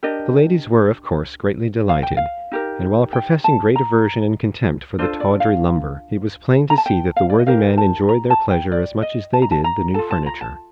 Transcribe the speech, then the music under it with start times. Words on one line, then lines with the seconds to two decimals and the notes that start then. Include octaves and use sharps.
The ladies were, of course, greatly delighted; and while professing great aversion and contempt for the "tawdry lumber," it was plain to see that the worthy man enjoyed their pleasure as much as they did the new furniture.
0.03 D4 G4 A#4 D#5
1.89 F5
2.03 G5
2.17 F5
2.51 D#4 G4 A#4
3.13 G5
3.44 A5
3.76 A#5
4.99 D4 F4 A4 C5
5.20 D5
5.40 F5
6.70 A#5
6.78 A5
6.86 G5
7.16 F5
7.30 D5
7.39 D#5
7.47 D#4 G4 A#4 F5
7.78 A5
8.09 A#5
8.30 A5
8.51 G5
8.72 D5
9.02 D#5
9.33 A5
9.42 A#5
9.51 A5
9.64 A#5
9.94 F4 A4 A5
10.11 A5
10.26 A#5
10.41 A5